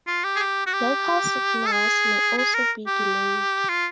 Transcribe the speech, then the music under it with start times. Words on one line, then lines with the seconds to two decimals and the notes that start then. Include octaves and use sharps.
Local signals may also be delayed.
0.07 F4
0.24 G4
0.36 G#4
0.39 G4
0.66 F#4
0.73 G4
1.66 A4
1.72 G#4
2.38 G#4
2.54 A#4
2.87 G4
3.69 F4